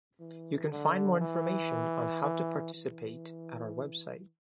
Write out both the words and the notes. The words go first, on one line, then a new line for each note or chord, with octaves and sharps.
You can find more information on how to participate at our website.
E3
D3
E3
E3
E3